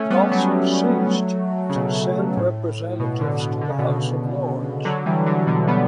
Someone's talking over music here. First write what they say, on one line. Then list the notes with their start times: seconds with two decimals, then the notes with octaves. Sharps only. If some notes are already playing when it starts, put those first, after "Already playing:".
It also ceased to send representatives to the House of Lords.
Already playing: A3 C#4
0.10 G3 B3
0.31 F#3 A3
1.69 C#3
1.76 B2
2.37 A2
3.00 B2
3.19 B2 D3
3.40 B2
3.61 D3
3.69 C#3
3.78 B2 D3
4.85 D3 F#3
5.06 E3 G3
5.26 D3 F#3
5.47 B2 D3
5.67 G3 B3